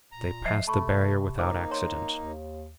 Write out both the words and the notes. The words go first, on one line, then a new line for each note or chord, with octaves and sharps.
They passed the barrier without accident.
A#2 A#5
F3 D#5 E5 C7
C3 A3 A5 B5 C#6
A#3 D#4 C5 D6
C#5 A#5 C6
D#2